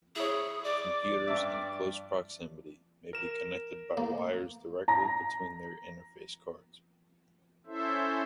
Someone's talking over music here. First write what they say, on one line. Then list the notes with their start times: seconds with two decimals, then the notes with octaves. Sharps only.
Computers in close proximity may be connected by wires directly between their interface cards.
0.16 E4 G#4 C#5
0.64 D5 D6
1.27 G2 E5
3.13 A#4 E7
3.97 A#3
4.88 A#5 A#6
7.66 C#4 E4 A4 C5 E5